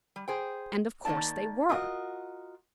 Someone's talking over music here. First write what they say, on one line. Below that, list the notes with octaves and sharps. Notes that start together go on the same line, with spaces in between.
And of course they were.
G3
G#4 C5 G5
D#3 A#3 B3 D#4 D5 A5
F4 F#4 A#4 D#5